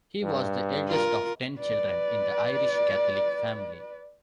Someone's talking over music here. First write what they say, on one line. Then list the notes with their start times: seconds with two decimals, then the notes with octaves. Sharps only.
He was the eldest of ten children in the Irish Catholic family.
0.23 G2
0.87 F4 A#4
1.59 B4 D5